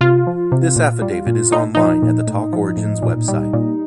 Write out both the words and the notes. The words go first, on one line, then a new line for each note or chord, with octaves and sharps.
This affidavit is online at the TalkOrigins website.
C3 F4
F3
C3
A#2
G3
A#2
A#2 D#4
F3 D#4
A#2
A2
F3
A2
A#2
G3
A#2